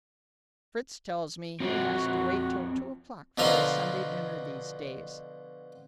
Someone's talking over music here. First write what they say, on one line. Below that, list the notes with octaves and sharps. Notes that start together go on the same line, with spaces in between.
Fritz tells me he has to wait till two o'clock for his Sunday dinner these days.
C4 F4 F#4 C#5
B2 D3 F3 A4 A#4 A#5